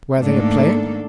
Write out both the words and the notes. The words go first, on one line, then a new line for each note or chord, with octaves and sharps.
"Where they are playing?"
G#2 D#3 A3 A#3 D4 A4